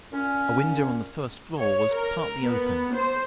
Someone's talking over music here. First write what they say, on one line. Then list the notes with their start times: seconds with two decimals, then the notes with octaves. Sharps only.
A window on the first floor was partly open.
0.12 A#2 C#4
1.58 C#5
1.93 A#4
2.43 B3
2.95 C5